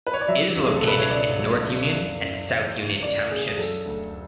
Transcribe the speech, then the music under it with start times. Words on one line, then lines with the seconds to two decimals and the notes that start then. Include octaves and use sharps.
It is located in North Union and South Union townships.
0.07 B4
0.13 C#5
0.21 D5
0.28 F#3 E5
0.56 C#2
0.64 G#4
0.76 A4
0.83 B2 B4
0.99 C#5
1.10 C#2 D5
1.38 F#3
1.66 C#2
1.94 F#2
2.20 F#2
2.48 E3
2.75 E3 C#5
3.03 F#2 D5
3.30 F#2 G#4
3.47 G#4
3.58 F#3 A4
3.86 D2